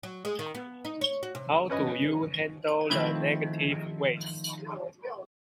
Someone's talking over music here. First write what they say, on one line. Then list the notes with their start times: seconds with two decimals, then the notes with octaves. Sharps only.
How do you handle the negative weights?
0.03 F#3
0.25 G#3
0.39 D#3
0.55 B3
0.85 D#4
1.01 C#5
1.23 F#4
1.35 C3
1.70 C#4 B4 D#5 G#5
2.90 D#3 F3 A3 C4 E4 B4